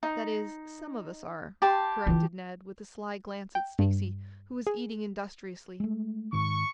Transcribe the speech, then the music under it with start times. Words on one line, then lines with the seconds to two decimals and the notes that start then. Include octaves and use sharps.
"That is, some of us are," corrected Ned, with a sly glance at Stacy, who was eating industriously.
0.03 D#4
1.62 G4 A5 C6
2.07 E3 F4
3.55 G5
3.79 G2
4.67 G#4
5.80 G#3 A3
6.33 G#2 D#3 C#6